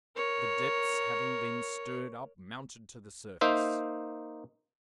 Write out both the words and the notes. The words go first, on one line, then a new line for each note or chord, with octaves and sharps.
The depths having been stirred up, mounted to the surface.
A#4 C#5
A#3 D#4 C5 E5